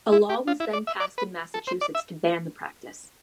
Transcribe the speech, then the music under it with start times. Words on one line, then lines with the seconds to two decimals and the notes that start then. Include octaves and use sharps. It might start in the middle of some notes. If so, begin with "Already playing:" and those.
A law was then passed in Massachusetts to ban the practice.
0.12 E4
0.29 G4
0.47 F4
0.60 E4
0.73 D5
0.87 E5
1.00 D5
1.18 B4
1.54 A4
1.67 C5
1.81 D5
1.95 E5